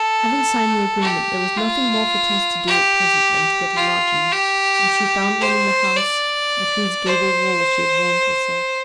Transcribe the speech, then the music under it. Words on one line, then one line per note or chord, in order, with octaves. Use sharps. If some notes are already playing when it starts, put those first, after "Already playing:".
Having signed the agreement, there was nothing more for Tess to do at present than to get a lodging, and she found one in the house at whose gable-wall she had warmed herself.
Already playing: A4
G4
F4
G4
F4
G4
C5
D5
C5